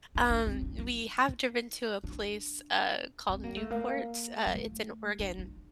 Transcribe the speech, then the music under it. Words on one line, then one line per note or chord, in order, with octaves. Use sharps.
Um, we have driven to a place, uh, called Newport, uh, it's in Oregon,
D#4
D4
C4
D4
D#4
D4
C4
A#3
A3
A#3
G3
A3
D4
D#4